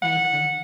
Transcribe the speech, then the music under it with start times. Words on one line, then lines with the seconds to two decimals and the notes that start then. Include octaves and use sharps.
I agree.
0.02 F#5